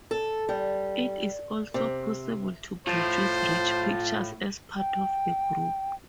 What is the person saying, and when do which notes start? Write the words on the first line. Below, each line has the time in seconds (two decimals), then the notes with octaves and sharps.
It is also possible to produce rich pictures as part of a group.
0.11 A4
0.49 G3
1.74 C3
2.87 A2 F4 C5 A5
4.76 G5